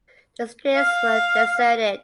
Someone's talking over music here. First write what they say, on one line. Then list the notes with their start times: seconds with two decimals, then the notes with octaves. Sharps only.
The streets were deserted.
0.76 F5